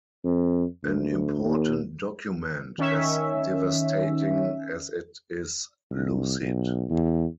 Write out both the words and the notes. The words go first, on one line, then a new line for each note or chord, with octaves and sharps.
An important document, as devastating as it is lucid.
F2
D2
D#2
D#3 C#4 E5
C2
B1
E2